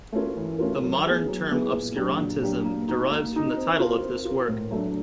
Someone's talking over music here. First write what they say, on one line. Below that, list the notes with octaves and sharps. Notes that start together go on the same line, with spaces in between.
The modern term obscurantism derives from the title of this work.
A3 C#4 F4 A#4
E3
A3 C#4 F4 A#4
F#3
B3 E4 G#4 B4
F#3
B3 E4 G#4 B4
A#2
F#3 A#3 D4 G4
A#2
F#3 A#3 D4 G4
A#3
D#4 F#4
A#3
D#4 F#4
C4
F4 A#4
C4
F4 A#4
A2
F#3 A3 D4